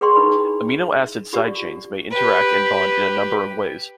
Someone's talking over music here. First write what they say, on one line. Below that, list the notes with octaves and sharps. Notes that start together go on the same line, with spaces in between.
Amino acid side chains may interact and bond in a number of ways.
G#4 B4 D5 G5 C6 C#6
D#4 E4 B4 G#5 B5
F4 G4 D5
G4 B4